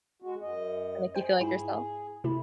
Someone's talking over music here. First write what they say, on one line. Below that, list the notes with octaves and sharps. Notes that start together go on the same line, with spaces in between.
that make you feel like yourself?
G#3 F#4
F#2 D#5
G#4 C5 G5
G#2 E4
C3 A3 E4